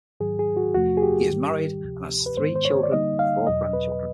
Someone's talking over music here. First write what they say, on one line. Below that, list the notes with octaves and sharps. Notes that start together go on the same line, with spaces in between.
He is married and has three children and four grandchildren.
G#2 D#3 F#3 G#4
G#4
F#4
E2 C3 F3 A3 F#4
G#4
G4
G#2 D#3 G3
D2 C3 F3
B4
G#2 D#3 G#3 B3 C5
C5
C#5
D5
D3 G3 A#3 D#4 D#5
F5
E2 B2 F#3 D#5
B4